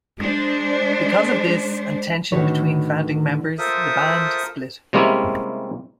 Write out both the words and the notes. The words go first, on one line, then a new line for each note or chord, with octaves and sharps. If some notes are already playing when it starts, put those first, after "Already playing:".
Because of this and tension between founding members, the band split.
G#3 D4 C5
A2 D3 D#3 F#4 B4 C#5
F4 A4 A#4 C5 E5 D#6
C3 G3 G#3 A#3 C#4 E4